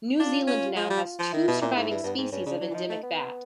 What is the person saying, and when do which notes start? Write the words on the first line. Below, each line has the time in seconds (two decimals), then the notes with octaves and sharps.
New Zealand now has two surviving species of endemic bat.
0.20 D4 F4
0.47 C#4
0.76 G#3
0.90 G3
1.19 F3
1.33 D#3 E4
1.48 B2
1.61 A#2
1.76 G#2
1.90 G2
2.03 G2 B3
2.17 G#2 C4
2.32 G2 C#4
2.46 C#3 D4
2.61 F#3
2.70 E3
2.74 F3 D#4
2.89 A3
3.03 B3